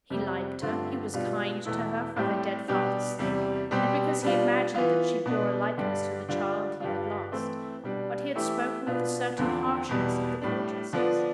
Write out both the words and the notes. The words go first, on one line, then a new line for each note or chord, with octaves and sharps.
He liked her; he was kind to her for her dead father's sake and because he imagined that she bore a likeness to the child he had lost; but he had spoken with a certain harshness of the Colchesters.
F2 C3 G3
G2 D3 A3 C4 F4
B2 G3 D4 F4
E2 B2 A3 E4
A2 G3 C4 G4
B2 G3 D4 G4
E2 C3 G3
B2 G3 C4 G4
B2 G3 D4 F4
E3 B3 F4
B2 B3 D4
G2 D3 G3 D4
D3 G3 D4 F4
G2 D3 G3 D4 F4
E3 A3 C4 E4
B2 G3 D4
E3 A3 E4 G4
B2 B3 D4 F4
E2 D3 F3 C4
E2 B2 G3
A2 G3 D4
D3 F3 B3 D4